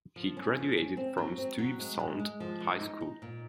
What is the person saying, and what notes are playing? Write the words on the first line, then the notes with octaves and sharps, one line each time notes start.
He graduated from Stuyvesant High School.
F3
C#4
F3
C#4
C4
F#3
C4
F#3
G#3
G#3
G#3
F3
G#3
D#4
D#4
A#2